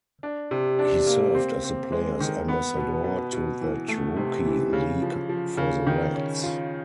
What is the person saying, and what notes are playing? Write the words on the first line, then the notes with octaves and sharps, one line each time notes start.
He served as the Players Ambassador to that Rookie League for the Reds.
D4
C3
D4
A#3
C4
C4
G#3
D#3
B3
B2
B2
B2
E3
A3
C3
E3
C#3
F3
F3
C#3
D#3
C#4
F4